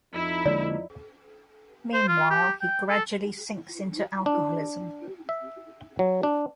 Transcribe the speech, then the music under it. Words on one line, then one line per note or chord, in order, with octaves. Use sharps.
Meanwhile, he gradually sinks into alcoholism.
F2 F3 D#4 E4
D3 G#3 A#3 D5
C5
F4
G4
G5
A4
D4
E5
F#3
D4